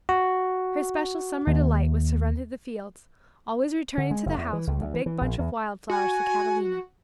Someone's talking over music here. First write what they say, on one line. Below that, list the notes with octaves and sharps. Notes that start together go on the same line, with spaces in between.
Her special summer delight was to run through the fields, always returning to the house with a big bunch of wild flowers for Catalina.
F#4
D#2
D3
G#3
F#1
E2
E3
C#2
D2
E3
E3
A#1
E2
F#4 G#5